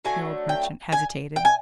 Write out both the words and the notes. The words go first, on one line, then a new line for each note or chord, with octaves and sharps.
The old merchant hesitated.
D3 F#3 A3 G#5
G5
G#5
G5
G#5